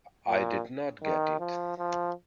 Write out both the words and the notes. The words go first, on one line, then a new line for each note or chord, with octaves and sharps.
I did not get it.
A#2
D#3
F3
F3